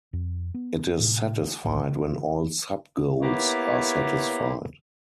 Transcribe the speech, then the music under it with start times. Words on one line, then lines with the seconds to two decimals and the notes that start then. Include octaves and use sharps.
It is satisfied when all sub-goals are satisfied.
0.13 F2
0.54 B3
1.00 A2 C3
1.65 B1 A2 D#3
3.22 A#3 B3 E4 G4 C#5